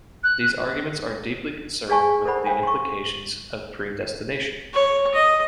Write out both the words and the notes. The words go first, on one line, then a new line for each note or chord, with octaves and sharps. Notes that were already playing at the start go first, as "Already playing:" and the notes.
These arguments are deeply concerned with the implications of predestination.
F#6
G#4 D5 F5 G#5 A5 C#6
A4 A#4 C5 D5 F#5 B5
C5 C#5 F5 G5 G#5
C6 C#6
C#5
D#5